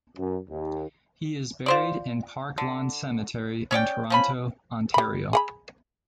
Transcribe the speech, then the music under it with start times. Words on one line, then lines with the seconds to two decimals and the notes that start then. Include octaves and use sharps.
He is buried in Park Lawn cemetery in Toronto, Ontario.
0.17 F#2
0.49 D#2
1.66 F4 C5 D5
2.58 D3
3.71 C#4 C#5 D5 G5
4.10 F3 C#4 B5
4.94 G3 B5
5.33 G#4 F#5 B5